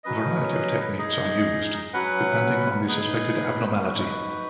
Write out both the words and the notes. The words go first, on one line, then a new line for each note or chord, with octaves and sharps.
A variety of techniques are used, depending on the suspected abnormality.
F#3 C#4 B4 D#5
D#4 G#4 D#5
F#3 C#4 B4 F#5
D#4 G#4 B4
D#4 F#4 B4